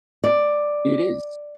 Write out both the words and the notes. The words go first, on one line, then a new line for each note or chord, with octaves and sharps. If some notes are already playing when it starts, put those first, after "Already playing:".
It is.
D5